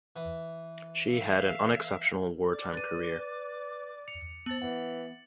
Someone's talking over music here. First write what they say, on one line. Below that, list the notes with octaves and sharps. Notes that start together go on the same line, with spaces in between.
She had an unexceptional wartime career.
E3
E5 F5
D5 D6
B4 F#6 A6 D#7
C#7 F7
B3 C5 A5 A6 F#7
E3 B3 F#5